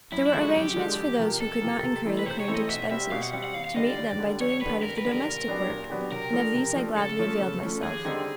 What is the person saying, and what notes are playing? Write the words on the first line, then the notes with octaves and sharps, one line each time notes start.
There were arrangements for those who could not incur the current expenses, to meet them by doing part of the domestic work, and of these I gladly availed myself.
F#2 E4
E4
D3 F3 G#3
F#4
F#2 G4
D3 F3 G#3
F2
C3 F3 A#3
F2 A4
C3 F3 A#3
C3
E3 A3 C4 D#4
B4
C3 C5
C#5
E3 A3 C4 D#4
D#5
B2 E5
G3 C4 E5
B2 F5
F#5
G3 C4
F#5
D#2 F5
F5
D3 G3 D#5
D5
D#2
D3 G3
F2 C#5
D3 G3 B4
F2 A#4
B4
D3 G3
A#4
A#2
F#3 B3 D4 G4
A#2
F#3 B3 D4 G4
C3 A#4
F3 A3 D4
C3
F3 A3 D4
C#3 A4
F3 A3 C#4
C#3
F3 A3 C#4
D#2 G#4
D3 G3 C4 D#4